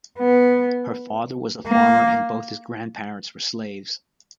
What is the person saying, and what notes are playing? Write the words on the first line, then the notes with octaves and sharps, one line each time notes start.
His father was a farmer and both his grandparents were slaves.
B3
A#3